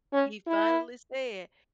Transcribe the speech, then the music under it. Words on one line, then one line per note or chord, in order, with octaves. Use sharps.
He finally said,
C#4
E4